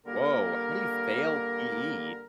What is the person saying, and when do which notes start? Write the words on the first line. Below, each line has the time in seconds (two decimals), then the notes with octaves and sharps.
Woah! How do you fail PE?
0.06 D3 G3 A#3 A#4